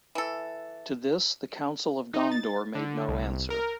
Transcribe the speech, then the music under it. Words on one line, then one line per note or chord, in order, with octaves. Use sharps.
To this, the Council of Gondor made no answer.
E3 A4
D#4
A6
D3
C2
A#4